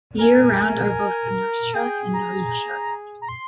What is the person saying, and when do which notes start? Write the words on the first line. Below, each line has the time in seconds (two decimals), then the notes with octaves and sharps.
Year-round are both the nurse shark and reef shark.
0.20 A#4 G#5
1.75 G#4 G5
2.13 A#5
3.22 A#5
3.29 C6